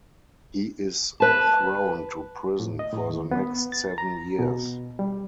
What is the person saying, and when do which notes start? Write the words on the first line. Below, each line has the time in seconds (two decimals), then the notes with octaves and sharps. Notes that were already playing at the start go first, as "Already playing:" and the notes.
He is thrown to prison for the next seven years.
1.20 B4 A5
2.60 A2
2.79 D#5
2.93 A2
3.10 D#2
3.31 B3
3.72 A6
3.98 A#5
4.39 B2
4.99 G3